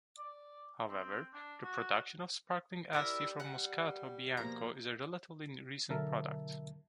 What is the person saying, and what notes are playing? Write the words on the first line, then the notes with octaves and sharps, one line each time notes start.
However, the production of sparkling Asti from Moscato Bianco is a relatively recent product.
D5
C4
D4
F#4
G3 E4 A#4 D5 E5
F#5
B2 F3 A#3 A#5
B2 D3 F#3 A#4 E5 A5